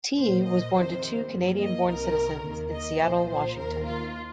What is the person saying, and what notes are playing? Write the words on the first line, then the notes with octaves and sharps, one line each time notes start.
Tee was born to two Canadian-born citizens in Seattle, Washington.
A#2 A#3 C5
D#5
F2 C3 D#3 C5
G2 F3 A#3
D#5
C2 C3 D#3 A#4
D#2 D#3 A#3
D#5
C2 A#2 F3 C5
C5
D#2 D#3 A#3 A#4
F4